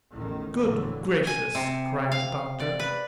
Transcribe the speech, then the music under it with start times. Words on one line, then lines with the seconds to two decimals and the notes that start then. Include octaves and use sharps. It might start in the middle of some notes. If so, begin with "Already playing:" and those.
"Good gracious!" cried the Doctor.
0.13 A1 E2 A2 D#3
0.57 A#1 F2 A2 D3 E3 F#3
1.27 G#5
1.55 C3
2.12 F5
2.60 D5
2.79 B4